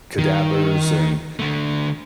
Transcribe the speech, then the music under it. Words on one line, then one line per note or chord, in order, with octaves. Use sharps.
cadavers and
D#3
D3 A3